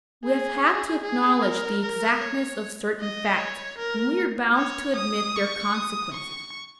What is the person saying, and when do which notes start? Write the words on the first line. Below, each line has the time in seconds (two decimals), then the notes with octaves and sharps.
We have had to acknowledge the exactness of certain facts, and we are bound to admit their consequences.
0.24 G#4
1.03 G#4
1.43 A#4
1.83 A#4
2.21 C#5
3.00 D#5
3.39 C#5
3.78 A#4
4.57 C#5
4.96 D#6
5.36 C#6
5.75 D#6
6.14 C#6